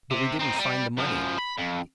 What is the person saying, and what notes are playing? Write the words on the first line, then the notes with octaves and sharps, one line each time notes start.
But we didn't find the money in it.
C3
C4 D#4
G3
F#2 F3
B5
F2